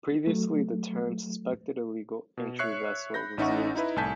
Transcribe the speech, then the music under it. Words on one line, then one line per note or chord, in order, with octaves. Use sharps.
Previously the term 'Suspected "Illegal" Entry Vessel' was used.
F#3 A3
B2
C#5 E5 C#6 F#6 C7 C#7
B5 G6 A#6
A1 C#4 D#4 E5 F#5 C#6
D#4 E4 B4 E5
C2 A2 G#5 A5 G6 B6